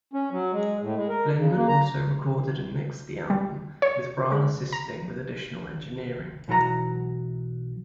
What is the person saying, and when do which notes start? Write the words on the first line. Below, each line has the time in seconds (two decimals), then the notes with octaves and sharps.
Blinman also recorded and mixed the album, with Brahl assisting with additional engineering.
0.13 C#4
0.32 F#3
0.53 G#3
0.82 A2
0.97 G#3
1.09 A#4
1.36 C#3
1.56 A#3
1.68 A#5
3.30 G3
3.82 C#5
4.32 G#3
4.73 A#5
6.48 B1 E3 F#3 A#4 A#5